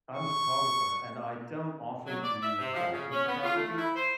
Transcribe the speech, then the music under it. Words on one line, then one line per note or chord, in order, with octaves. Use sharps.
I'm a photographer, and I don't often do fashion photography.
C#6
F#3
D5
E5
C3
F3
C#3
C#4
B3
F4
A3
E4
C5